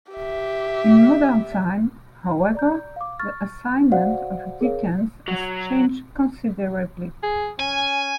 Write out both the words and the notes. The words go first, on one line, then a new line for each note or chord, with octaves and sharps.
In modern times, however, the assignment of decans has changed considerably.
G4 E5
D5 A#5 G6
F5 D6
C#6 F6 A6
F#4 C5 D5 F5 F#5
G#4 A#4 C#5 F5
F#3
G#4
C#4 G#5